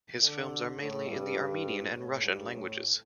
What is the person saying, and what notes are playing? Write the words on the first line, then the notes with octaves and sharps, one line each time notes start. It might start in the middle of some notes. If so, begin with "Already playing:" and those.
His films are mainly in the Armenian and Russian languages.
D3
A2
G2
A2
G2
A2